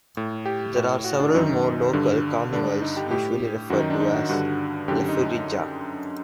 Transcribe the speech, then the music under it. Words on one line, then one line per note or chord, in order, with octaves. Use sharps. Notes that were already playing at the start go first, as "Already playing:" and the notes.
There are several more local carnivals usually referred to as Laufarija.
A2
G4
A2
F#4
D4
F#2 D#3 D#4
G2 D3
G2 D3 D4
D#4
G4
A2 G4
F#2 D#3 F#4
D#4
D4
D#4
F#4
G2 D3 F#4
F#2 D3 G4
D#4